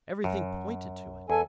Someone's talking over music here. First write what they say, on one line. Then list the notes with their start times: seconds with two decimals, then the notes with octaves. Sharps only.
Everything pointed to it.
0.24 F#2
1.30 E2 A4 G#5